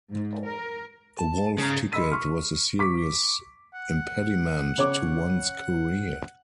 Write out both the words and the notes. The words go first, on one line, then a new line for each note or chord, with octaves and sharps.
A wolf ticket was a serious impediment to one's career.
G#2
A#4
A5
C#3 G#4 A#5
D#5 B5 C6 E6 B6 D#7
C#6 F6
C#6 D6 B6
F#5
C#3 C#5 D6